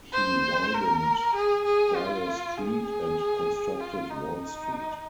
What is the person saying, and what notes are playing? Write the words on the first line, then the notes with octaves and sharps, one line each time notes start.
He widened Pryor Street and constructed Wall Street.
C5
A#4
G#4
G#4
F4
G#4
F4
D#4
D#4